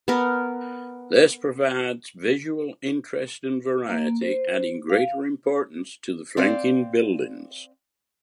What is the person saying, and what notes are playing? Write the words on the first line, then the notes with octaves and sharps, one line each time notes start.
This provides visual interest and variety, adding greater importance to the flanking buildings.
B3 A#4
A#3
C5
F5
C4 D5 F5